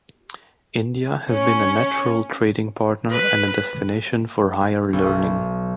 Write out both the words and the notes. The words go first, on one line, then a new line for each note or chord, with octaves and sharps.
India has been a natural trading partner and a destination for higher learning.
C#4
B4
B1